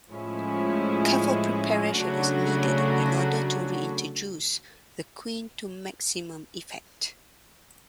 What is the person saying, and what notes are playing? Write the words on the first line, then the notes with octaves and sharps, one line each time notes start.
Careful preparation is needed in order to reintroduce the queen to maximum effect.
A2 F3 G#3 C#4 E4
C#3 F#3 A3 D4 F#4